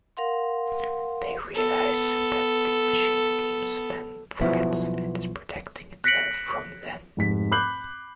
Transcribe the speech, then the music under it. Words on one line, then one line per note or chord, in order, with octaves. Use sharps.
They realize that the Machine deems them threats and is protecting itself from them.
A#4 F5 F#5 C6
B3 A4
B1 F3 B3 E4 F#4
F#6 A#6 B6 C#7 D7 F#7
F1 G#2 B6
B5 D6 F#6 G6 C7 F#7